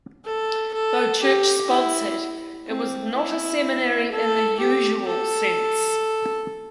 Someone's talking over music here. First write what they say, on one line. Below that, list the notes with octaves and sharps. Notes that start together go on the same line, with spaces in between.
Though church-sponsored, it was not a seminary in the usual sense.
A4
A4
G4
E4
C4
E4
A4
G4
A4